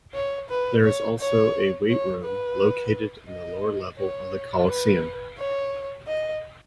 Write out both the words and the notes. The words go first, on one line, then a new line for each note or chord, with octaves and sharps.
There is also a weight room located in the lower level of the Coliseum.
C#5
B4
C#5
C#5
C#5
B4
D#5
C#5
B4
C#5
D#5